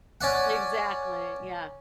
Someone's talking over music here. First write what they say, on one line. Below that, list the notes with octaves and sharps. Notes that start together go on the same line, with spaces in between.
Exactly, yeah.
C#4 D5 F#5